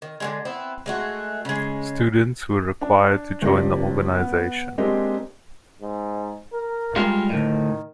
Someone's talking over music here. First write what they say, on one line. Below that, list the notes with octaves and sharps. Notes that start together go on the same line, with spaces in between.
Students were required to join the organisation.
D#3
D3 G3 G#3
B3 C4 E4
G#3 A3 F#4
C#3 G#3
D4
E1 C#2 G4 D5 A#6
B3
G#3 A#3 C4 D4 G4 D#5
G#2
A#4
G3 G#3 F4
D2 A2 D#3